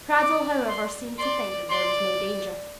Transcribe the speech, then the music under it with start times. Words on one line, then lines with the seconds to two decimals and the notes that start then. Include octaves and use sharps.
Cradell, however, seemed to think that there was no danger.
0.17 D5 D6
0.68 C6
1.19 D5 C6
1.69 D5 C6